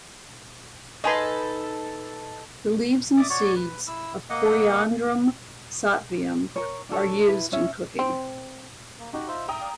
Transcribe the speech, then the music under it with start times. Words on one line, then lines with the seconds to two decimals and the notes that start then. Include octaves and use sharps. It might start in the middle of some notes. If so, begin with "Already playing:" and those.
The leaves and seeds of "Coriandrum sativum" are used in cooking.
1.04 D#4 A4 B4 D#5 G#5 C6
3.17 D5 E5 D6 D#6
3.29 F#4 C#5 D5
3.56 B4
3.87 E4 E6
4.30 A#3 D#5 F#5
6.56 A#4 C#5
6.89 D4 F#4 A4 C#5
7.28 E4 B4
7.52 C#4 C#5 E5
7.99 C4
9.00 A#3
9.13 D#4 F#4 G4
9.28 F4 C5 E5
9.48 E5 G5 A#5 D#6
9.61 D5 F5